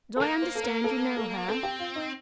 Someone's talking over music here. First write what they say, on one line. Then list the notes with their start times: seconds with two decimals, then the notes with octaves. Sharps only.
"Do I understand you know her?"
0.16 A4
0.21 A#3 A#4
0.42 C5
0.55 A4
0.64 A#4
0.84 A4
1.17 A4
1.48 C4 A4
1.63 G4
1.79 F4
1.96 D#4